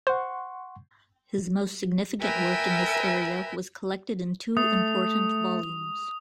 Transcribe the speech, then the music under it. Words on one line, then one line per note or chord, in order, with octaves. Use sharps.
His most significant work in this area was collected in two important volumes.
C5 F#5 C6 C#6
A#4 B4 E5 G5 G#5
A3 D#6